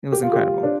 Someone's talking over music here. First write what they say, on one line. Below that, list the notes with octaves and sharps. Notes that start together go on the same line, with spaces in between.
It was incredible.
G4
F4
G4
D4